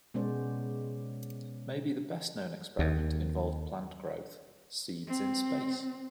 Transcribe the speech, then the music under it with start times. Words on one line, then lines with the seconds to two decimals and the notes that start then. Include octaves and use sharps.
Maybe the best-known experiment involved plant growth: "Seeds in Space".
0.14 B2 G#3 B3 C#4 C5 D5
2.79 D#2
5.08 C4